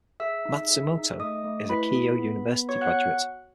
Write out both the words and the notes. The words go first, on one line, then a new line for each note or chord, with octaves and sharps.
Matsumoto is a Keio University graduate.
G#4 E5 E6
D#4
G#4
D#4
A3 D#5 D#6
A3
E4 B4 B5
G#4
B3
B3
F#4 C#5 C#6
F#5 F#6